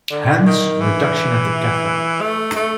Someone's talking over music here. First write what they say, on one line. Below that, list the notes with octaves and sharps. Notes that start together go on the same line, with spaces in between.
Hence, reduction at the cathode.
D3
D#3
E3
A3
A3